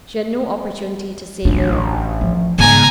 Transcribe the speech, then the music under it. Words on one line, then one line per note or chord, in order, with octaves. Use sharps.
She had no opportunity to say more.
A1 D4
F3
G#2 C#3 B3 G#5 A#5